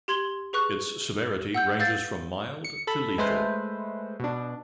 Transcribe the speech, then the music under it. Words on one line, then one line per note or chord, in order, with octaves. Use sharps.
Its severity ranges from mild to lethal.
G4 C6 G#6 F#7 G7
G#4 B4 C#6 F#6
F#5 E6 G6
B4 F5 E6 G6 A6
C#7
A4 B5
G#3 A3 B4 C5
B2 D4